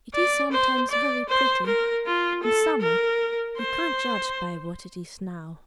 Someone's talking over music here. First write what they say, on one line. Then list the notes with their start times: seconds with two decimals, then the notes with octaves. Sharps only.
'It is sometimes very pretty--in summer; you can't judge by what it is now.
0.14 D5
0.52 C5
0.90 D5
1.29 C5
1.66 A#4
2.06 F4
2.43 A4
2.81 A#4
3.58 C5